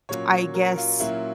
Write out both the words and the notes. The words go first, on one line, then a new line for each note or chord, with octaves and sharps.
I guess,
A#2 F#3 A#3 C#4 C#5
A#4
F4
A#2 F#3 A#3 C#4 E4